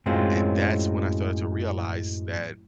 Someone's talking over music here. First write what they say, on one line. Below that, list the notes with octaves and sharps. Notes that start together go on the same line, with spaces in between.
and that's when I started to realize that
F#2 A2 F#3 G#3 C4 F4